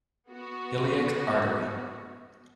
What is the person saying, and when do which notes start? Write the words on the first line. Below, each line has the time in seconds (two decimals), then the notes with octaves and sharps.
Iliac artery.
0.30 B3 F#4